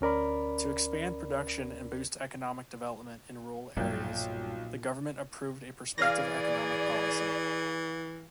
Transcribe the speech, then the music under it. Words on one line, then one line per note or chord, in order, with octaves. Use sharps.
To expand production and boost economic development in rural areas, the government approved a perspective economic policy.
D2 C#4 A#4 D5 B5
B1 G2 A#2 F3 G3 G5
E3 G#4 D5 F5 A#6